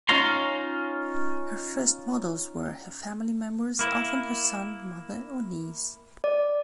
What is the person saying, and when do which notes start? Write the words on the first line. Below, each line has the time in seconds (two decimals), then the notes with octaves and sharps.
Her first models were her family members, often her son, mother, or niece.
0.09 C#4 D#4 F4 C#5 A#5 C6
3.79 A#3 E4
6.24 D5